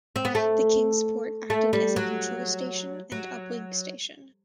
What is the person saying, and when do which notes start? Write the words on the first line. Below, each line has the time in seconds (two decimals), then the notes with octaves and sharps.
The "Kingsport" acted as a control station and uplink station.
0.16 C4
0.25 B3
0.35 A3
1.50 A3
1.73 G3
1.96 F#3
3.12 F#3